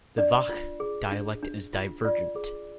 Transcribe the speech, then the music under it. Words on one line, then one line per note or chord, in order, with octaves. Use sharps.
The Vakh dialect is divergent.
D4 D5
F4
G#4
D4
D4
F4
F4 D5
G#4